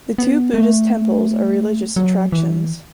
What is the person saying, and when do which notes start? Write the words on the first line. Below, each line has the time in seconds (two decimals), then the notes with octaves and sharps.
The two Buddhist temples are religious attractions.
0.18 B3
0.54 A3
1.96 F#3
2.32 E3